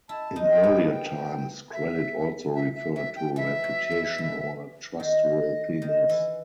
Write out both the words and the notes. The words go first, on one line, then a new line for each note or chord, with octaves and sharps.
In earlier times, credit also referred to reputation or trustworthiness.
E4 A5
D#4
G5
B3
G5
E5
E5
E5
F#3 E5
G5
E3 E5
F#3
E3
E3
D#3 D#5
D#3
E3